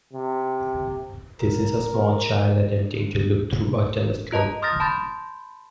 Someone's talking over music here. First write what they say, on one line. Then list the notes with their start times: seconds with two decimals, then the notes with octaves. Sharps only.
This is a small child attempting to look through a telescope.
0.13 C3
1.40 A#4
4.32 F4 D#5 A5 A#5
4.62 C6 D#6 F6 G6 A6 A#6
4.80 A5 B5 C6 G6 A6